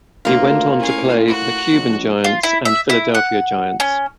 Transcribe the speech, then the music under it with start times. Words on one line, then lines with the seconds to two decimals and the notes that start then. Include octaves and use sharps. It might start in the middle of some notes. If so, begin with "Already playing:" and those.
He went on to play for the Cuban Giants and Philadelphia Giants.
0.25 D2 A#3 F4
0.79 A2 C#4 F5
1.28 F#4 F#6
1.72 A#1
2.24 F4
2.43 E4
2.65 E5
2.90 E4
3.15 F#5
3.80 C#4